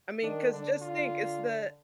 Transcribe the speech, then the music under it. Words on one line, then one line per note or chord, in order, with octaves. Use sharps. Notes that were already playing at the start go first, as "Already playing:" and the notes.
I mean, 'cause just think, it's the
D#3 D4
D3 D4
F4